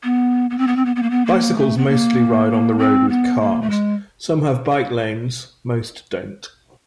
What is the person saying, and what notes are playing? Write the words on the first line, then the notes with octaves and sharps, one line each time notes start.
Bicycles mostly ride on the road with cars; some have bike lanes, most don't.
B3
B3
C4
B3
C4
B3
B3
A#3
B3
A#3
A3
B3
A#3
C4
B3
A#3
A3
G#3